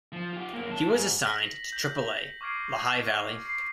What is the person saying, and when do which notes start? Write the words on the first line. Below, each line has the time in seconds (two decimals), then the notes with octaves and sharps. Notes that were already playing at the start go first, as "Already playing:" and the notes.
He was assigned to Triple-A Lehigh Valley.
0.12 F3
0.33 F4 G4
0.54 F#2 A#3
0.70 D#3 A5
0.88 G#2
1.25 A#6 B6 F#7
1.72 G6
2.41 C#6 D6 F6 G#6 C7 D7
3.45 C7